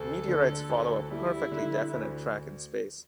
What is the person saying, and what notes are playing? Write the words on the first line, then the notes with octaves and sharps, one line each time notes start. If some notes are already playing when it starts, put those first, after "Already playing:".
Meteorites follow a perfectly definite track in space.
Already playing: D2 A4
D3
D2
G3 E4
D3
D2